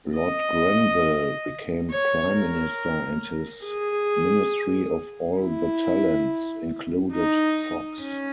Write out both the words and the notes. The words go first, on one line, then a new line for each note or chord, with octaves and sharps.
Lord Grenville became Prime Minister, and his "Ministry of All the Talents" included Fox.
D#5
C#5
A#4
G#4
E4
D#4
C#4